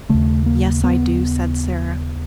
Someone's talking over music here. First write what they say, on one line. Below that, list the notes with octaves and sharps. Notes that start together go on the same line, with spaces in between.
"Yes, I do," said Sara.
D#2 C#3 A3
A#3
B3